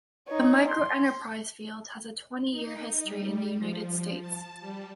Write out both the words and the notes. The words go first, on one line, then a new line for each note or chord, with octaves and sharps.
The microenterprise field has a twenty-year history in the United States.
D#4 C#5
C6
D#4
G3
F3
A5
G3